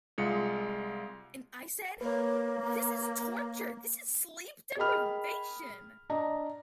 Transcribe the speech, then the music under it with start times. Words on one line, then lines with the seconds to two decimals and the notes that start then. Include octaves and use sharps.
I said, 'This is torture, this is sleep deprivation'.
0.18 C2 G#3 F4 C#7
2.01 A#3 B4 C#5
4.77 G#4 A#4 D#5 G5 B5 F6
6.10 D4 D5 D#5 A#5